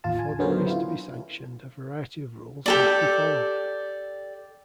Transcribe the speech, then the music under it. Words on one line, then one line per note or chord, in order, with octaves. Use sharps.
For the race to be sanctioned, a variety of rules must be followed.
A1 D#2 F4 A5
G#5
D3 F#3 B3 C#4 A#4 C5
E4 F4
G4 A4 D5